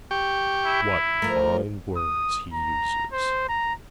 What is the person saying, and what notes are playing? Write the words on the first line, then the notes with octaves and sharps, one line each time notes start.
"What fine words he uses!"
G4 G5 C#6
E4
F3 A3 A#4
D#6
A#5
C5
A#5